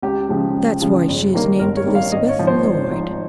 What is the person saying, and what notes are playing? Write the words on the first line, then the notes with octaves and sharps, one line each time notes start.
That's why she is named Elizabeth Lloyd.
C#2 G4
C#3 F3 G#3
C#2
C#3 F3 G#3
G1
G2 D#3 A#3
G1 A#4
C#5
G2 D#3 A#3
F5
G#1 D#5
C#5
G#2 F3 C4 D#4
C5
G#1
G#2 F3 C4 D#4